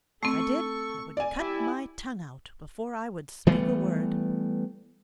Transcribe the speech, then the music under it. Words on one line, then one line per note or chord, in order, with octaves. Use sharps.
If I did, I would cut my tongue out before I would speak a word.
A3 C4 A4 C#6
D5 G#5
E4 G4
E3 G3 A3 B3